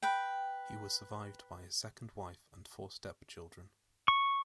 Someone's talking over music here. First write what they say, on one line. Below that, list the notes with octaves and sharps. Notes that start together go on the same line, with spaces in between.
He was survived by his second wife and four step-children.
B4 G5
C#6